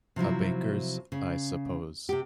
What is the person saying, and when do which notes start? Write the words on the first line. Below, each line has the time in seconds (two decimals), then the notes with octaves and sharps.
'A baker's, I suppose.
0.16 C3 F3 F#3 E4
1.12 C#3
2.09 C3 G4